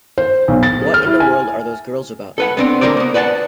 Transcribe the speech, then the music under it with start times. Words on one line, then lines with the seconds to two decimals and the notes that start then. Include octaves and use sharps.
What in the world are those girls about now?
0.18 C5
0.48 B1
0.63 A6
0.81 G#4
0.94 F6
1.07 E4
1.20 G#5
2.38 A4 B4 F#5
2.57 B3 C4 D4
2.81 D3 A#3 F4 A#4 C5 D5
2.97 A#3 B3
3.14 B4 D5 F#5 G#5 A5